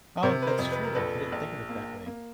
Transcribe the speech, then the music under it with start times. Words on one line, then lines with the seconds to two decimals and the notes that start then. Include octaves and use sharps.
Oh, that's true. I didn't think of it that way.
0.23 C3 A#4 C5
0.42 B4
0.47 A#4 C5
0.59 F2
0.72 B4
0.83 A#4
0.95 A#1 A4 B4
1.32 A#1
1.69 A#3
2.06 A#3